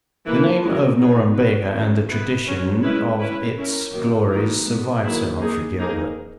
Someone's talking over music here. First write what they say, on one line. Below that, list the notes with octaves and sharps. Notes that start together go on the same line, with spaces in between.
The name of Norumbega and the tradition of its glories survived Sir Humphrey Gilbert.
E3 A#3 E4 B4
E3 G#3 C#4 F#4 A#4
B3 D#4 G#4 C#5
C#4 F#4 B4
D#3 G#3 C#4 F#4
B3 E4 B4
F#3 C#4 F#4
G#3 C#4 E4 B4
C#4 E4 B4
C#4 E4 A#4
D#3 F#3 A#3
E3 A#3 D#4 F#4 A#4
G#3 B3 F#4
D#3 F#3 A#3 E4 G#4
A#3 D#4 G#4
A#3 D#4 G#4